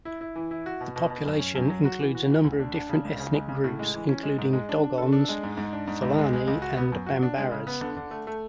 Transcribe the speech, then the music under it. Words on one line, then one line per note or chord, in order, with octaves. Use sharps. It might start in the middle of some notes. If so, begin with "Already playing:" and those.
The population includes a number of different ethnic groups including Dogons, Fulani and Bambaras.
E4
E4
E3
E4
F#4
B2
B2
B2
F#2
C#4
F#2
F#3
F#4
E3
F#4
E3
D2
D4
D4
C#3
C#2
C#3
G#3
C#3
A2
G#3
E3
C#4
G#3
G#2
G#3
D4
D4
A4
D4
G#3
G#2
G#2
D4
G#2
C#2
G#3
G#3
C#2
F#4
B3
F#2
F#4
D4
G#3
C#3
B3
D3
D3
A3
A3